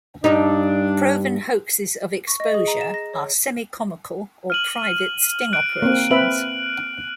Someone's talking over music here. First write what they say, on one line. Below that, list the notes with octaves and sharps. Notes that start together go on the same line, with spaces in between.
"Proven hoaxes of exposure" are semi-comical or private sting operations.
G2 G3 D4 D#4
C#6
D#5
G#4
A#5
E7
A#6
C#5
F6 D#7 F#7
F#6 D7
A#3 C4
C4 B4 E5 F#7